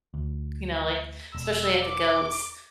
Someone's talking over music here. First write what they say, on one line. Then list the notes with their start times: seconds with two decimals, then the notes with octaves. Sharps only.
you know, like, especially at the goats
0.14 D2
1.34 E1 E6
1.84 D6